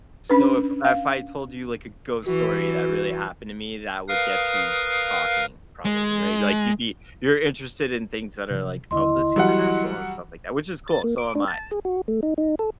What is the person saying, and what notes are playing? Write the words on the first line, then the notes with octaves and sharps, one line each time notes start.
So, if if I told you, like, a ghost story that really happened to me, that would get you talking probably, right? Like, you'd be you're interested in things that are, like, of the supernatural and stuff like that, which is cool, so am I.
C#4 D4 B4
F5
E3 F#4
A#4 B4 F5 D#6
G#3
C3 D#3 F3
D#2 D3 E4 D#5 C6
E3 F#3 G3 F#5
A6
A#3
D6
D4
A5
G#4
F#4
A3
D#4
D#4
A4